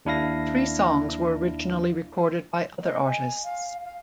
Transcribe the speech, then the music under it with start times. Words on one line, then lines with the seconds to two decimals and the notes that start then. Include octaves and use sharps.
Three songs were originally recorded by other artists.
0.05 D#2 D4 E4 F5 A#6
2.83 D#5
3.06 G#5
3.44 F5
3.85 F5